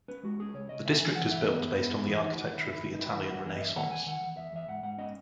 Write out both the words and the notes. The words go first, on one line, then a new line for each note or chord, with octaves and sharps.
The district is built based on the architecture of the Italian Renaissance.
C#4 B4
G#3 F#4
C#4 G#4
C#2 C#5
C#3 D#5
C#4 E5
E3 G#5
E3 F#5
E3 E5
B3 D#5
F#2 E4
F#4
B3 E4
F#2 E4
E3 D#4
D#2 D#4
E4
D#3 F#4
D#3 E4
D#3 E4
D#3
D#4
F#3 E4
D#3 E4
F#3 F#4
E2 G#4
D#5
E2 E5
D#3 F#5
E2 G#5
D#3 F#5
E2
E2 E5
E2 E5
G#2 F#5
G#2 F#5
C#4 D#5